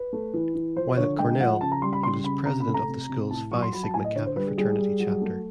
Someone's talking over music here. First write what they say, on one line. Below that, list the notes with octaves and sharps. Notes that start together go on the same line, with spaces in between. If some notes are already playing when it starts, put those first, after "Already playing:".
While at Cornell, he was president of the school's Phi Sigma Kappa fraternity chapter.
Already playing: B4
A3
E3
E3
F3 C5
D3 C#5
G#3 G5
F3 F#5
C#3 A5
A#5
G3 C6
B5
C#3 C6
C#3 B5
C3 A#5
B5
A3
A#5
C3
C3
A2 A5
F#3 C#6
C6
F#3 B5
A5
A2 G#5
D#5
D3 C#5
C5
G3 B4
G#4
G3 G#4
G3
F#3
A3